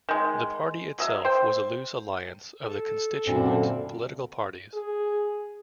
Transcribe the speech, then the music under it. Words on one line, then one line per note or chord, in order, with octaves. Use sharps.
The Party itself was a loose alliance of the constituent political parties.
D#3 G#3
F#3 D#5 E5
C5 G5
A4
F#2 A#2 D3 C4 E4
G#4